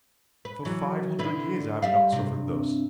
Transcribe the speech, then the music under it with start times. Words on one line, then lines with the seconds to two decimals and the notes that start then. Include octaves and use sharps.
For five hundred years I have not suffered thus.
0.45 B4
0.65 E3 F#3
1.19 D3 E4 B4
1.82 G3 E5 F5
2.12 G2 C3